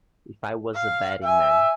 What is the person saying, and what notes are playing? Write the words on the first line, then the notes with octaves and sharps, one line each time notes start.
If I was a betting man.
F5
E5 G#5